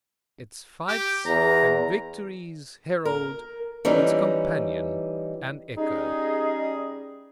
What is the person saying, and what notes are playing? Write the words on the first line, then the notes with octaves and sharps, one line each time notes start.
Its fights' and victories' herald, its companion and echo.
G4
E2 A#5
A#4
E3 G3 C#4 D#4
G3 C#4 D#4 G#4 D#5